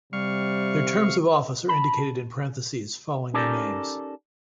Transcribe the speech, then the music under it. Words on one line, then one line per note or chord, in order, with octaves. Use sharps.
Their terms of office are indicated in parenthesis following their names.
C3 G3 F5 C#6
A5 B5
C#4 D#4 G4 A4 A#4 D5